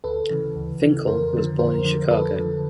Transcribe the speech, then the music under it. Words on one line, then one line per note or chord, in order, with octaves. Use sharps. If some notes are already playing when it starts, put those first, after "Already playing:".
Finkel was born in Chicago.
D2 A4 B4
C#3 E3
D2
C#3 E3
F2 A#4 C5
D3 F3
F2 A#4 C5
D3 F3
F2 A4 B4
D3 F3